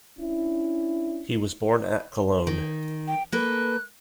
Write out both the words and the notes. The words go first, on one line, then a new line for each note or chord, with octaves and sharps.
He was born at Cologne.
C#4 D4 E4
D#3
G5
A#3 A4 B4 F#6